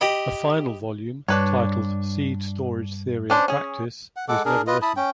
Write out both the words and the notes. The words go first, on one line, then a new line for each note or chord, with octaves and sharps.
A final volume titled "Seed Storage Theory and Practice" was never written.
G4 D#5 B5
G2 D4 B4 C#5
C#4 D4 C5
C#4 G#4
F#5
G#3 A4 F#5 D6
D4 G#4 A#4
F4 B4 D#5
E4 A5 B5 D#6
C#4 G5